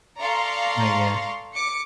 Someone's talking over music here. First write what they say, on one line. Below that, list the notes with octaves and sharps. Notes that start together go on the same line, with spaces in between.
Oh yeah.
A4 D5 F5 A#5 C6 C#6
D6 C#7